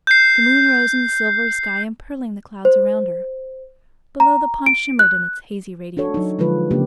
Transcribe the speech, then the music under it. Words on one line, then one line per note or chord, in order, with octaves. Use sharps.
The moon rose in the silvery sky, empearling the clouds around her. Below, the pond shimmered in its hazy radiance.
G6 C7
C5
A#5
D7
F#6
D4 F#4 A4 C#5
F#3 D#4
D3 F3 G#3 F4 B4
C#3 A#3 D4 G4